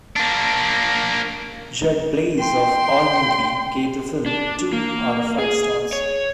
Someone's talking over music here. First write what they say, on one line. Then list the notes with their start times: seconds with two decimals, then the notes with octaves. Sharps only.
Judd Blaise of Allmovie gave the film two out of five stars.
0.16 A#3 D4
2.39 G5 C6
4.26 D4
4.73 A#3
5.38 G#4
5.93 C#5